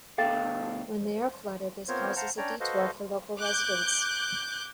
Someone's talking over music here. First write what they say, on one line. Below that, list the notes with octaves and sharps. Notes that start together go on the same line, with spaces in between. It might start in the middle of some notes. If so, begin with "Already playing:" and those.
When they are flooded this causes a detour for local residents.
D2 B2 A4 F5 G5 A6
B3 C4 F4 A#4 C5 C#5
C5 F5 F#5 A5 A#5
C#4 D4 C#5 D5 G5 A#5
F#4 A4 B4 C5 D#5 F5
D6 F#6 G6